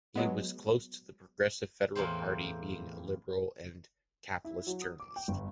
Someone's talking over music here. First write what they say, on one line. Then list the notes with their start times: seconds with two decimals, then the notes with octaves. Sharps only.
He was close to the Progressive Federal Party being a liberal and capitalist journalist.
0.16 F#3 G#3 B3
1.95 E2 A2 A#3 C4 C5
4.45 E4
4.67 F#3
4.82 D#6
5.00 D6
5.16 G5
5.28 G1